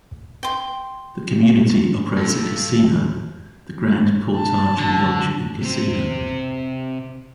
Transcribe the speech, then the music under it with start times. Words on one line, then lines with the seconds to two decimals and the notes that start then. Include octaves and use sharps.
The community operates a casino, the Grand Portage Lodge and Casino.
0.43 G5 C6
2.18 G2 A4
4.36 A5
4.79 D3
5.61 C3 C5